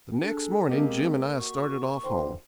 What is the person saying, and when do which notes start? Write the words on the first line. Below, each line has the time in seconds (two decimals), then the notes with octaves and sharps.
The next morning Jim and I started off home.
0.22 D4 G#4 A4
0.69 G#3 A#3 C4 G4 D#5
1.38 F#4 C#6
2.04 D3 E3 C5 G5 C6